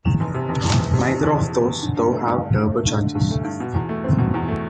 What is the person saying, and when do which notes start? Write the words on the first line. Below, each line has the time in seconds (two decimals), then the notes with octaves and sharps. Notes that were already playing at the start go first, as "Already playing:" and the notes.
Neither of those, though, have turbochargers.
0.05 E2
0.20 F1
0.34 C3
0.49 F1
0.64 E2
0.80 F1
0.94 C3
1.08 F1
1.23 E2
1.38 F1
1.52 C3
1.67 F1
1.82 D3
1.97 G2
2.12 A3
2.27 G2
2.41 D3
2.56 G2
2.71 A3
2.86 G2
3.01 D3
3.15 G2
3.30 A3
3.44 G2
3.60 B2
3.75 E2
3.89 A3
4.04 C4
4.18 B2
4.34 E2
4.48 A3